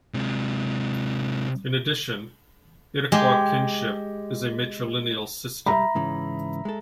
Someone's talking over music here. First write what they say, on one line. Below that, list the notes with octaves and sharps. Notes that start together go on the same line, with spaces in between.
In addition, Iroquois kinship is a matrilineal system.
C3 G#3
G#3 G4
G3 E5 A#5 B5
G#2 C#3 E3
G#3 A4